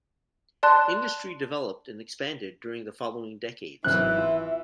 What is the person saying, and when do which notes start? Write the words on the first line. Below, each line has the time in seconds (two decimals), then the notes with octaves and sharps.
Industry developed and expanded during the following decades.
0.63 D5 A5 C6 F#6
3.84 G#1 E3 F#3 E5 F#6
4.18 F4